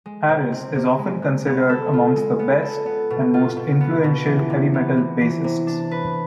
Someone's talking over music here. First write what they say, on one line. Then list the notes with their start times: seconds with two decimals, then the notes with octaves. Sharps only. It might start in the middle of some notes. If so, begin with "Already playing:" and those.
Harris is often considered among the best and most influential heavy metal bassists.
0.06 G#3
0.29 C3
0.52 C4
0.76 C3
0.99 G#3
1.22 C3
1.47 B3
1.69 A4
1.93 F4
2.16 G#3
2.39 B3
2.62 A4
2.86 B3
3.10 B2
3.34 F4
3.57 B2
3.81 B3
4.04 B2
4.26 E3
4.50 C3
4.74 B3
4.97 C3
5.21 E3
5.44 C3
5.67 D4
5.91 B4